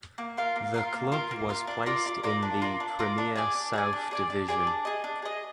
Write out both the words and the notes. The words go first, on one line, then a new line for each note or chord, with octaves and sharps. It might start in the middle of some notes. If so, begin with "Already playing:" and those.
The club was placed in the Premier South Division.
A#3
F4 A#4 F5
A#3
F4 A#4 F5
A#3
F4 A#4 F5
A#3
F4 A#4 F5
D4
F4 A#4 D5
D4
F4 A#4 D5
D4
F4 A#4 D5
D4
F4 A#4 D5
D4
G#4 D5 G#5
D4
G#4 D5 G#5
D4
G#4 D5 G#5
D4
G#4 D5 G#5
D4
G#4 D#5
D4
G#4 D#5